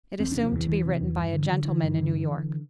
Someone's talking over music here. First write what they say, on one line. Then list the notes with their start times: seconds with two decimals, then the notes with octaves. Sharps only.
It assumed to be written by a gentleman in New York.
0.19 E2 C4
0.32 C3 D4
0.44 F3
0.52 E2 E3
0.68 E2 E3
0.85 C3
1.01 E2
1.17 G2
1.33 D3
1.49 D3
1.65 D3 E3
1.82 G2
1.98 D3
2.14 D3
2.30 D3